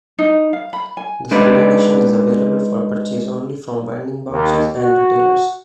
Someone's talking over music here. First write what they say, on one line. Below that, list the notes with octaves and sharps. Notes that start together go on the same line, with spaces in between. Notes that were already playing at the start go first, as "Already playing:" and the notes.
The Sunday edition is available for purchase only from vending boxes and retailers.
D#4
F5
B5
G#5
G#3 D4 D#4 B4 D5
D#2
F#4